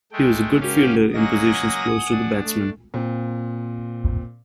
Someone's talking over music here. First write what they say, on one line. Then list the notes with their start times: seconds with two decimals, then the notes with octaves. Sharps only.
He was a good fielder in positions close to the batsmen.
0.12 G#3 A3 G5
0.60 C#3 G#3 C#4 F#4 G4 A#4 F5
1.14 F#3 A#3 D#5 F#5 G#5 D#6 A#6
2.11 D4
2.44 A3
2.94 A#2 C4